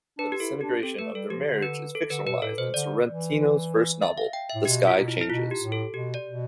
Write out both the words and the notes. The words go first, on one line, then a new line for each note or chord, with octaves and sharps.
The disintegration of their marriage is fictionalized in Sorrentino's first novel, "The Sky Changes".
D4 B4
G4
E4 A4
D4 G4
C4 A4
A3 B4
G3 A4
F3 G4
D3
B4
A4
D3 B4
B2 B4
A2 A4
B2 C5
D3 D5
E3
E5
F5
G5
E5
A2
B2 G4
F4
B2
E4
E4
B2 F4
G4
A2
A4
B2 G4
D5
B2